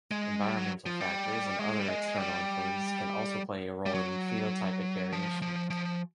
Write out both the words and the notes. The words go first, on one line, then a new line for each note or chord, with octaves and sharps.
Environmental factors and other external influences can also play a role in phenotypic variation.
G#3
G3
F#3
F3
G3
G#3
G3
G#3
G3
G3
F#3
F3
F3
F3